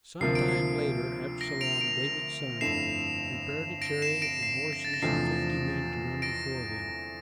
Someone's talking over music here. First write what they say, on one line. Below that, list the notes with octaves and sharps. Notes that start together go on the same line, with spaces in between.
Some time later Absalom, David's son, prepared a chariot and horses and fifty men to run before him.
D2 C3 F3 A#3 C7
D7
C7
A#6 D7
D7 F7
D7 F7
G1 F2 D3 A3 E4 C7 E7
A#6 D7
C7 E7
A#6 D7
C7
A#6
A6
A#6
E2 C3 F3 A3 D4 C7
A#6 D7